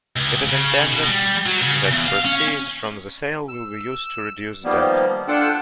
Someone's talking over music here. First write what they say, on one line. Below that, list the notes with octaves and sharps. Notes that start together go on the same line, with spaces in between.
It is intended that proceeds from the sale will be used to reduce debt.
C#2
C#3
B2
G3
F#3
C#3
E2
F5
C#4
E6
D#3 F3 G3 A#3 B3
D4 F4 A4 F#5 G5 A5